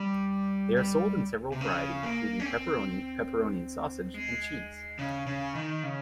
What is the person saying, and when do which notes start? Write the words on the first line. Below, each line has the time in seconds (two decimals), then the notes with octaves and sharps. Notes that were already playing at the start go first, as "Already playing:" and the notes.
They are sold in several varieties including pepperoni, pepperoni and sausage, and cheese.
Already playing: G3
0.77 G3
1.52 C3
1.61 C#3
2.03 A#3
2.40 C#4
2.46 C4
4.14 G#3
4.99 C#3
5.27 C#3
5.55 D#3
5.83 C#3